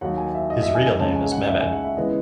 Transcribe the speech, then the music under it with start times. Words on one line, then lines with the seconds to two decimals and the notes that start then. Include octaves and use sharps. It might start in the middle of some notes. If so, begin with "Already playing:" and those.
His real name is Mehmed.
0.01 D#2 D#3 F#3 F#5
0.18 G#5
0.34 E5
0.50 D#5
0.63 E5
0.75 G#5
0.86 G#5
0.99 C#2 C#3 G#3 C#4 A5
1.15 G#5
1.32 F#5
1.48 E5
1.61 G#5
1.73 F#5
1.84 E5
1.97 C#3 E3 G#3 B3 D#5